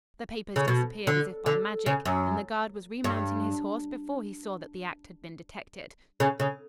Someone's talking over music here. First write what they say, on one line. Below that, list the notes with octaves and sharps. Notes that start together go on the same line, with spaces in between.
The papers disappeared as if by magic, and the guard was remounting his horse before he saw that the act had been detected.
C#3
B2
D3
D3
C#3
F#2
G2
C#3
C#3